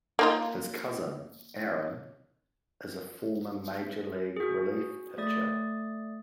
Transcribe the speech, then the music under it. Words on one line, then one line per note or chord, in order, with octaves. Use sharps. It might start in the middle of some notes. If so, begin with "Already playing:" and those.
His cousin, Aaron, is a former major league relief pitcher.
A#3 D#4 F4
F#4 G#4
A3 D5 D#6 A6